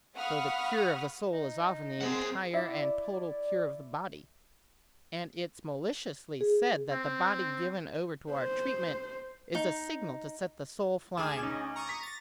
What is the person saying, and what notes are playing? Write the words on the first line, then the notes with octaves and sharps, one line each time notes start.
Though the cure of the soul is often the entire and total cure of the body: and it's maliciously said that the body given over to our treatment is a signal to set the soul flying.
F5 F#5 B5 C#6 D#6 F6
D#4
C4 G#4 A#4 F#5
E4 D5
G#4
C4
C5
D#4
D2 G#4 G#5 D6 E7
C#4 D#4
A#5 C#6 D#6
B6
A6 A#6